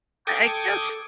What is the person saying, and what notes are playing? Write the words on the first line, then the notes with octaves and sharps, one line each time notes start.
I I guess
A4 G5 D6 D#6 G#6